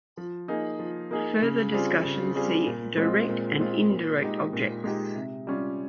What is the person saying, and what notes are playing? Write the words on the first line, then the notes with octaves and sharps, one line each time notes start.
For further discussion, see 'Direct and indirect objects'.
F3
A#3 D#4 G#4
F3
A#3 D#4 G#4
C#3
G3 C4 F4 G#4
C#3
G3 C4 F4 G#4
A#2
G#3 C4 F4
A#2
G#3 C4 F4
A#2
G#3 D#4 G4
A#2
G#3 D#4 G4
C3
G3 C#4 F4